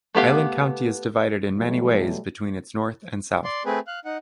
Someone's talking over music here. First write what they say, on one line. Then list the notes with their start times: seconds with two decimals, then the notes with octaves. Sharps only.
Island County is divided in many ways between its north and south.
0.15 A3 B3 G4 F5
1.57 B2 E3 F#3 G3 A3
3.44 D5 C6
3.66 A3 C4 G#4 B4
3.87 F5 F#6
4.05 D#4 F#5